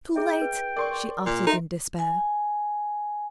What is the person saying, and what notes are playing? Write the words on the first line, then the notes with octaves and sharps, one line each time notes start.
"Too late," she uttered in despair.
E4 G#4 E5 G5
B4
A#4 D5 C6 C#6
A#2
D#4 F#4 A#4 E5
G#5